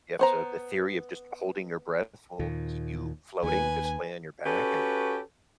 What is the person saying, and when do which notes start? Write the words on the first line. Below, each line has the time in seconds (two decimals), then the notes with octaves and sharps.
you have to the theory of just holding your breath will keep you floating, just lay on your back, and
0.19 B3 C5 A#5
2.39 D#2 A#2
3.43 D#2 B4 G#5
4.45 C#4 F#4 G4 A4 B4